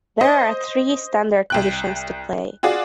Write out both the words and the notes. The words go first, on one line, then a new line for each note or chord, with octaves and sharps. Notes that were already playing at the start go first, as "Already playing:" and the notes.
There are three standard positions to play.
C5 D#5
C2 G5 F#6
F4 F#4 G#4 D5